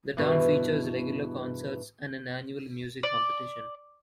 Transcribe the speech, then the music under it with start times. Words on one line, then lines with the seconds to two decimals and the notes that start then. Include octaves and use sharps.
The town features regular concerts and an annual music competition.
0.17 E2 G2 B2 E3
3.03 D5